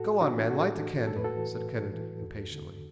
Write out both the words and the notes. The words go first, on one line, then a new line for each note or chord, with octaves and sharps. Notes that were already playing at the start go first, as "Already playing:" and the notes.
"Go on, man, light the candle!" said Kennedy impatiently.
Already playing: A2 F#4 A4
E3 D4 F#4
A2 F#4 A4
E3
A2 A4
B4
F#4 A4
E3
A2
E3
E2
D3